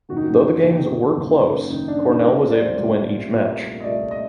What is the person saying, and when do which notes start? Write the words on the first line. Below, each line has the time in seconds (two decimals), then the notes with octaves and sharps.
Though the games were close Cornell was able to win each match.
0.09 F#1 F#2 D#3 F#4
0.16 D#4
0.24 F#4
0.63 F#1 F#2 D#3 D#4
1.16 F#1 F#2 D#3
1.70 F#1 F#2 D#3 D#4
1.88 D4
2.06 D#4
2.23 C2 A#2 A3 A#4
2.42 C5
2.51 D5
2.59 C5
2.77 C2 A#2 A3
3.31 C2 A#2 A3
3.80 D#5
3.84 C2 A#2 A3 D5
4.11 D#5